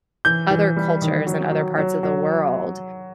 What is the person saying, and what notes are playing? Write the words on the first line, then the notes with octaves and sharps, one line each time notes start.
other cultures and other parts of the world
E3 G6
E3
G3
D#3
F#3
F#3
F#3
F#3